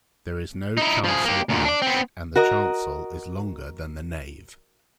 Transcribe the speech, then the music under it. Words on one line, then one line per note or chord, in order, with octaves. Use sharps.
There is no chancel arch, and the chancel is longer than the nave.
D#4 E4
F3 G#4
A#3 G4
D2 A#2
D4 D5
B3 C4
F#4 A#4 D#5